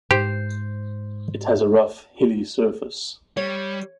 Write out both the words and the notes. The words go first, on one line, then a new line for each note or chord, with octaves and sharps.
It has a rough hilly surface.
G#2 G4 C5
G3 C#5